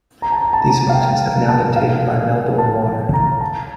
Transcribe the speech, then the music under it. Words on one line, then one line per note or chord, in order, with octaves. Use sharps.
These functions have now been taken by Melbourne Water.
A#5
A5
A#5
A5
A#5
A5
F5
G5
A5
F5
A5
A#5
A5